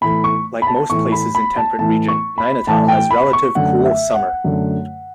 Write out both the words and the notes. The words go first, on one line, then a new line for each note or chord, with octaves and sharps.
Like most places in temperate region, Nainital has relative cool summer.
A2 E3 A3 B5
C#6
B5
A5
A2 E3 A3 C#6
B5
B5
A5
A2 E3 A3 A5
C#6
B5
A2 E3 A3 A5
G5
B5
C#6
F#2 D3 A3 F#5
E5
F#5
F#2 D3 A3